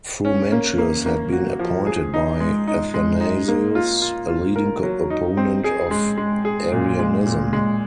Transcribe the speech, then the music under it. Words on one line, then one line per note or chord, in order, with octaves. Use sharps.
Frumentius had been appointed by Athanasius, a leading opponent of Arianism.
C#4
A#3
A#3
A#3
F#4
F3
G#4
D#4
G#3
D#4
G#3
D#4
A#3
F4
F4
F4
A#4
F#3
D#4
C4
G#4
G#3
G#3
G#4
A#2
G#3
A#2
G#3